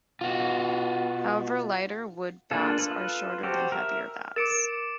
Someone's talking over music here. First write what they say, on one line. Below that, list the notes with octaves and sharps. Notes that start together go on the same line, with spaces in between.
However, lighter wood bats are shorter than heavier bats.
B2 F4 F#4
A#3 D4 F4 G#4 A4
F4 A4 B4
F#4 G4 A4 C5
A#4 E5
A#4 D6 A6 C#7 D7 E7